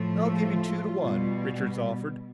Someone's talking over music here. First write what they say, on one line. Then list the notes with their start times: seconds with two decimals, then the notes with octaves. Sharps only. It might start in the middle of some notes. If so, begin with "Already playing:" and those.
"I'll give you two to one," Richards offered.
Already playing: A2 F3 A3
0.41 F4
0.99 B2 G3